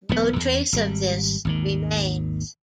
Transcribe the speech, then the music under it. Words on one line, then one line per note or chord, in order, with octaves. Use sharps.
No trace of this remains.
E1 B1 A#2 B3
E2
G#1 B2 G3
G#1 D#2 D#3